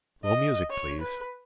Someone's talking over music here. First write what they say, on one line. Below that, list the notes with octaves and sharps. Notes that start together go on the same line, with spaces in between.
Slow music, please.
D#5
C#5
B4